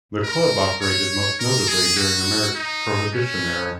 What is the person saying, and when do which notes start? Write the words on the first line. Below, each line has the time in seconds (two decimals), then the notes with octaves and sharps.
The club operated most notably during America's Prohibition Era.
0.23 A#4
0.81 C#5
1.40 A#4
1.68 G#4
1.97 F#4
2.55 D#4
3.13 C#4